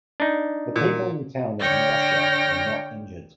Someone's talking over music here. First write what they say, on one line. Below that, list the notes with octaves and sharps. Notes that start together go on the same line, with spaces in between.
The people in the town of Norcia were not injured.
D4 D#4
A#2
D3 C#5 D5 G5 F6 A#6